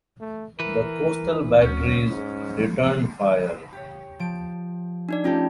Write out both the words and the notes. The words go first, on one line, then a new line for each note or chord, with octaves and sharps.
The coastal batteries returned fire.
A3
E3 A#4 B4
F#3 C#4
G#2
G4 C#5
F3 D7
D4 D#4 D5
A3 C#4 F4 G4 A#4